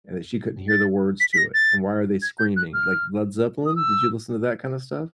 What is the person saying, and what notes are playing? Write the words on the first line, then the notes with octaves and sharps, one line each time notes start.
And that she couldn't hear the words to it, and why are they screaming like Led Zeppelin? Did you listen to that kind of stuff?
A6
B6
B6
A#6
A6
G#6
G6
F#6
F6
D#6
E6